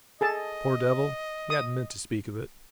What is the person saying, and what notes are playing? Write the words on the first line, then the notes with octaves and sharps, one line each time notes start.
Poor devil--he hadn't meant to speak of it.
G#4 A4 D#5 A5
D#6